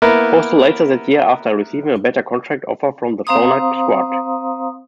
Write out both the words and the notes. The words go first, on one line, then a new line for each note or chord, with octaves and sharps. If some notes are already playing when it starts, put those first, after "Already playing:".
Postal later that year after receiving a better contract offer from the Phonak squad.
A#3 B3 E4 A#4
C4 C5 F5 A#5 C6 D#6